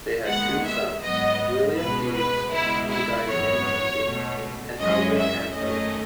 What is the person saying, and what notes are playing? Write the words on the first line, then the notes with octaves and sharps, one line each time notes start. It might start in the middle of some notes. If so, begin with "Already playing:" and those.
They had two sons, William Eves, who died in infancy, and Albert Hanford.
D#2 D#3 G#3 B3 F#5
E5
G#2 F#3 B3 D#5
C#2 B2 G#3 B4
B4
C#2 B2 G#3 E4
E4
G#1 F#2 E3 B3 C#5
C#2 B2 A3
G#1 F#2 E3 G#3 C#4 D#5
E5
F#2 D#3 A3 C#4 D#5